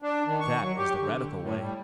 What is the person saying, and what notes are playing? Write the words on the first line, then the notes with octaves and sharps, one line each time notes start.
That is the radical way.
D4
D#3
C#6
F#3
G4
D3
A2
G3